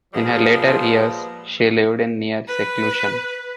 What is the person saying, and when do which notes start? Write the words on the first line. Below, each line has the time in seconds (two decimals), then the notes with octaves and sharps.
In her later years she lived in near seclusion.
0.14 A#2 F3 G3 G#3 B3
2.48 B4